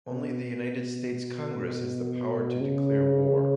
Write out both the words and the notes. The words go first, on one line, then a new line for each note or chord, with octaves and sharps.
Only the United States Congress has the power to declare war.
B2
C#3